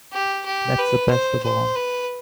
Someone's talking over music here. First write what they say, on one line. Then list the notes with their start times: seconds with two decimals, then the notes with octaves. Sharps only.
That's the best of all.
0.13 G4
0.46 G4
0.78 B4
1.11 C5
1.44 C5
1.76 B4